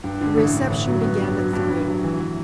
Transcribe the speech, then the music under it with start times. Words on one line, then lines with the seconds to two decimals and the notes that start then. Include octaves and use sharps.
The reception began at three.
0.04 G2
0.21 D3
0.37 A1
0.54 D3
0.70 A1
0.87 F#3
1.03 B3
1.20 G2
1.38 F#3
1.53 G2
1.70 G2
1.87 F#3
2.03 E3
2.20 E3